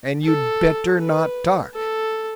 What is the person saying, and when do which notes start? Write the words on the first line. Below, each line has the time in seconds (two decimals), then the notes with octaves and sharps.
And you'd better not talk.
0.24 A4
0.99 B4
1.74 A4